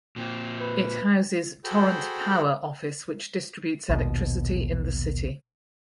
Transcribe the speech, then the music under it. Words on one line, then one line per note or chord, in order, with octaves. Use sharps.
It houses Torrent Power office which distributes electricity in the city.
A#2 C4
B4
F#4 G#4 A4 C5 G5 B5
A#1 D#2 B2